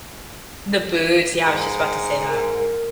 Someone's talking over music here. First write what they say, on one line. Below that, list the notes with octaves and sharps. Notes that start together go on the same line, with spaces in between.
The boots, yeah, I was just about to say that.
G#2
A#4
A#4